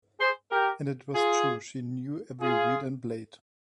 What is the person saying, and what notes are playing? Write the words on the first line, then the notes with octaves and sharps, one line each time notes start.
And it was true, she knew every weed and blade.
G#4 C5
G4 A#4
F4 G#4
F4 G#4